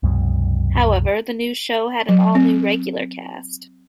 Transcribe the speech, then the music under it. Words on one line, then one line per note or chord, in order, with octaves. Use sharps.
However, the new show had an all-new regular cast.
C2 F#2 B2 G#3
F#3
C4